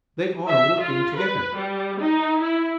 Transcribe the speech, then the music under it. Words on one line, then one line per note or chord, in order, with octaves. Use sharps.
They are working together.
E5
F4
B4
G3
D#4
E4